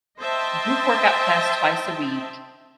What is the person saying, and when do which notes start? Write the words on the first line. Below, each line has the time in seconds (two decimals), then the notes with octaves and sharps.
group workout class twice a week,
0.18 C5 D#5 E5 G5 A5